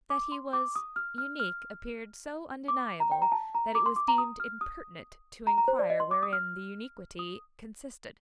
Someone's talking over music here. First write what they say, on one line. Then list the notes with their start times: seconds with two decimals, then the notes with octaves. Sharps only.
That he was unique appeared so undeniable, that it was deemed impertinent to inquire wherein the uniquity consisted.
0.10 D6
0.32 C6
0.53 D6
0.76 D#6
0.96 F6
1.18 F6
1.40 F6
2.68 D6
3.00 A#5
3.12 G5
3.22 A#5
3.32 A5
3.55 A#5
3.75 D6
3.86 C6
3.96 D6
4.08 A#5
4.18 D#6
4.40 F6
4.61 D#6
5.47 A#5
5.58 A#5
5.68 C5
5.79 D5
5.90 D#5
6.00 C6
6.11 D6
6.23 D#6
6.33 F6
7.19 D#6